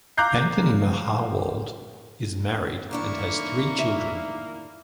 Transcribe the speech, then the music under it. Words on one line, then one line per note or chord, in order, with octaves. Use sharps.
Anthony Mahowald is married and has three children.
F5 A#5 D6 F#6 G6 C7
D#3 A#3 D4 E4 C#6
E5